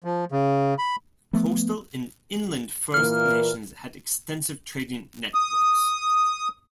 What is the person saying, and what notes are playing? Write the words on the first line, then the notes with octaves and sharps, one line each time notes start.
Coastal and inland First Nations had extensive trading networks.
F3
C#3
B5
F3 A3 B3
A#2 E3 A#3 F6
D#6